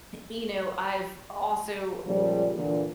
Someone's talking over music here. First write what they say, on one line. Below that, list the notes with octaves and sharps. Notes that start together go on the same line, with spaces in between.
eh you know, I've also
A#2 C#3 F3 G3 G#3
A#2 D3 E3